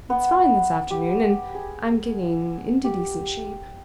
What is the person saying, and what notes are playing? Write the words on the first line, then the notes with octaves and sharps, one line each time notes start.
It's fine this afternoon, and I'm getting into decent shape.
B3
G4
G#4
G4